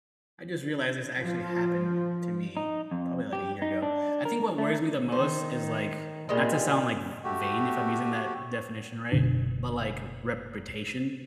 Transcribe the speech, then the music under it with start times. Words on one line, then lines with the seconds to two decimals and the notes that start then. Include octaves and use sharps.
I just realized this actually happened to me probably, like, a year ago. I think what worries me the most is, like- not to sound, like, v vain, if I'm using that definition right- but, like r reputation.
1.23 F3
2.57 D#4
2.91 F2
3.33 G4
3.62 D#4
3.82 D4
4.25 A#4
4.58 A3
5.12 D#3 C5
6.29 A#2 D#3 G3 G#3
7.24 A3 F#4 G4
9.12 F#1 B2 D3 D4